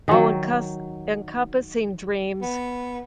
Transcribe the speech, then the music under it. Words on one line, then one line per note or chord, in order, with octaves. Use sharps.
all-encus encompassing dreams
D#3 F#3
B3